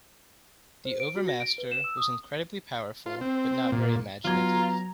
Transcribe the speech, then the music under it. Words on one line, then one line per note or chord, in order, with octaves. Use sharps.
The Overmaster was incredibly powerful but not very imaginative.
C5
D7
F#4
A#6
D7
B4
E7
E6
D#6
F4
C4
A#2
F#3 B3 F4 A#5 G#6